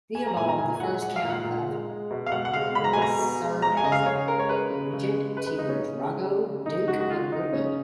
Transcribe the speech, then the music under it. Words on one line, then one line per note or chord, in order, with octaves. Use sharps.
Theobald the First, Count of Blois served as Regent to Drogo, Duke of Brittany.
G#3 G#5
A#5
A#2 G#5
A#5
A#2 G#5
G#5
G#3 F#5
G#3 F#5
F5
A#2
F#5
A#2
G#3
G#3
B2
F5
B2 F#5
F#5
G#3 F5
G#3 B5
A#5
G#5
B2 A#5
B2
G#3
G#3 A#5
G#5
C#3 D#5
F5
C#3 C#5
G#3 A#4
C#5
G#3 B4
C#3
C#3
G#3
G#3 B4
B4
C#3 D#4
C#4
C#3
G#3
G#3
C#3
C#3 D#4
G#3 F#4
F#4
G#3 F4
C#3 D#4
C#3 C#4